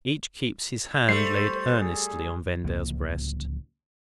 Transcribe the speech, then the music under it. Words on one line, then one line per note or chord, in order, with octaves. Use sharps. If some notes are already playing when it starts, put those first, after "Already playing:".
Each keeps his hand laid earnestly on Vendale's breast.
G3 A3 C5 C7
G#4
D1 C#2 F3 A#3